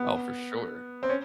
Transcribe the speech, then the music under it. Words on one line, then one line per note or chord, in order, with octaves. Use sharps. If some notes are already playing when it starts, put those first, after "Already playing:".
Oh, for sure.
Already playing: B3
C4
C#4